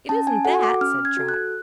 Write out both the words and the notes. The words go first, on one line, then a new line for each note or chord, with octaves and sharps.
"It isn't that," said Trot.
C#4 A5
G#5
F#4 A4 F#5
D6
C#4 F6
G#6
F#4 A4
F#6